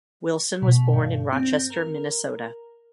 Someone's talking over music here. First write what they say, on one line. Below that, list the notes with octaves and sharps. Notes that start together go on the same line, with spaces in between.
Wilson was born in Rochester, Minnesota.
B2
G2
C4
A#4